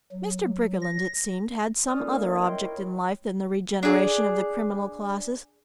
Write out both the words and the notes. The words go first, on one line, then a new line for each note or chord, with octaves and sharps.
Mr. Briggerland, it seemed, had some other object in life than the regeneration of the criminal classes.
F#3
A#6
D5 D#6 F6
A#3 C#4 D#4 F4 A4 A#4
F4 C#5 E5
A#4 D#5 G5 C6
E4 A#4 C#5
D4 G#4